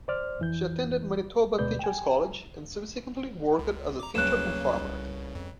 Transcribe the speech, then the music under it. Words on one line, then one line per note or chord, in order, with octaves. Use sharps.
She attended Manitoba Teacher's College, and subsequently worked as a teacher and farmer.
C5 D5 F6
F2 E3 G6
D2 B2 G#3 B4 D5 G6
G5 G#5
C#2
A#5 D6
D2 G2 C#3 F#3 A#3 F#6 E7
C2
F2